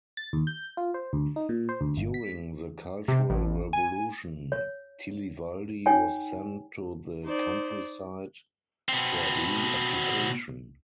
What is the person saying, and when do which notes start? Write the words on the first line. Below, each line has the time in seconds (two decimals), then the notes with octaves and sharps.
During the Cultural Revolution, Tiliwaldi was sent to the countryside for "re-education".
0.17 A6
0.33 D#2
0.47 G6
0.77 F4
0.94 C5
1.13 D2
1.36 D#4
1.49 A#2
1.69 C5
1.81 D2
1.97 G1
2.14 B6
3.08 C3
3.30 A1
3.73 G#5
4.52 C#5
5.86 D#4 C#5 G5 G#5
7.24 D#4 C5 D5
8.89 B2 C4